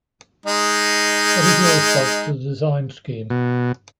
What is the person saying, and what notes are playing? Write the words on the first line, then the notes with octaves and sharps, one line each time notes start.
What is your response to the design scheme?
G#3 D#4
B2